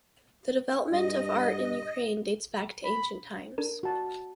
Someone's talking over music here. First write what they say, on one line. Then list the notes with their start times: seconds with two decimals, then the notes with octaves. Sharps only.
The development of art in Ukraine dates back to ancient times.
0.92 G2 D#5
2.85 B5
3.58 D4 A4 A#4
3.83 F#4 A5